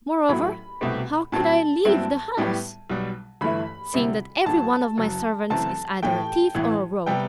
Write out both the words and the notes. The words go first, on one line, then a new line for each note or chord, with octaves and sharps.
Moreover, how could I leave the house, seeing that every one of my servants is either a thief or a rogue?
A1 A2 F#3 A3 E4 B5
C2 B2 A3 C4 G4
A2 F#3 C4 A5
G2 F#3 C4 E4
A2 G3 B3 E4 G4
B1 B2 G3
G1 G2 E3 A3 E4 B5
D2 C3 G3 C4 E4
A1 A2 F#3 A5
F#1 F#2 F#3
F#1 F#2 E3 A3 C4 A5
A2 E3 A3 G5
A1 A2 E3
C3 G3 B3 G5